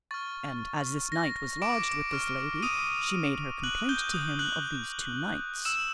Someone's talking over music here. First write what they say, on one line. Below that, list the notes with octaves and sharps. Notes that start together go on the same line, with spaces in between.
And as this knight was lodged with this lady she made her complaint to him of these two knights.
C#6 F6 A6
A#6
D6 D7
C#6 F6
D#6 D#7
F#6 F#7
G6 G7
D#6 G6
F#6 F#7
E6 E7